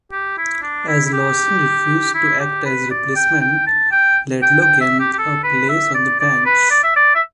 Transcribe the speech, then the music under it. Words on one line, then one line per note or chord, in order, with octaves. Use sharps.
As Lawson refused to act as replacement, Laidlaw gained a place on the bench.
G4
E4
D4
E4
E4
G4
E4
G4
B4
D5
G5
G5
A5
G5
G5
G5
E5
G4
G4
A4
B4
E5
D5
D5
B4
D5
E5
D5
E5